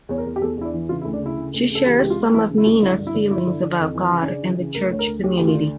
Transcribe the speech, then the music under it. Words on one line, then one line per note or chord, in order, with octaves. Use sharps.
She shares some of Ninah's feelings about God and the church community.
E2 C#5
A#4
E2
G4
E2 A4
E2 E4
D4
E3
C#3 F4
E4
D2
D4
C#3 E4
C#3
D2
C#3 A4
E3 G4
C#2 G4
F4
C#2
E3 E4
C#3
E4
C#2 F4
D3 E4
G2
E4
D3
G2 E4
D3
D3
F2
E3
C#3
C#4
C#3 D4
E3
C#3
D2 A#4
D2 C#5
A#4
D2
D2 G4
D2 G4
F4
D3